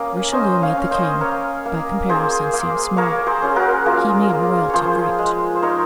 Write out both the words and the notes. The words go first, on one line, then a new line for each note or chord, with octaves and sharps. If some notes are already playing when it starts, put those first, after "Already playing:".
If Richelieu made the king, by comparison, seem small, he made royalty great.
Already playing: A#3 C#4 D#5
C#4 C5 D#5
C#5 F5
C#4
C5 D#5
A#3 A#4 C#5
A#3
A#3 G#4 C5
A#3
A#3 A#4 C#5
G#4 C5
C#4 G#4
F#4 A#4
A#3 F4 G#4
A#3
F3 G#4 C5 C#5
G#3
C5
D#4 A#4 C#5